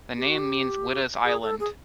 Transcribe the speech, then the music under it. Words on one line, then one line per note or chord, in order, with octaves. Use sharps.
The name means "Witta's island".
G4
F#4
G4
G#4
A4
G#4